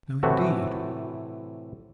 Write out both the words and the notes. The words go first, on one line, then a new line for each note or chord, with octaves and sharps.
No, indeed!
A2 C3 E3 A3 F#4